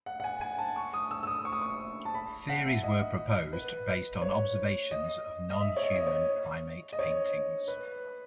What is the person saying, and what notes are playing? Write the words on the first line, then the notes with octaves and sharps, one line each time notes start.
Theories were proposed based on observations of non-human primate paintings.
F#5
F#5
G#5
G#5
A5
C#6
D#6
E6
E6
D#6
C#6
D#6
C#6
A5
B5
F#5
E5
D#5
B4
C#5
D#5
D#5
E5
C#5
D#5
D#5
C#5
D#5
C#5
B4